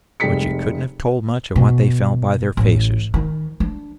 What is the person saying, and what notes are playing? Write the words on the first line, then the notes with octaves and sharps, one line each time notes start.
But you couldn't have told much of what they felt by their faces.
F1 G3 G#3 B6 C#7
B2
A1
D#3
D4